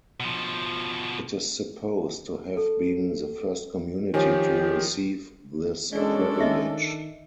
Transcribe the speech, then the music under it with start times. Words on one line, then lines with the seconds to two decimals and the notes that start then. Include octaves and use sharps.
It is supposed to have been the first community to receive this privilege.
0.20 B2 F3
2.57 A4
4.14 D#3 F3 G4 C#5 G#5
5.93 E1 G#3 C#4 D4 A4 D5
6.40 D#3 D#5 E5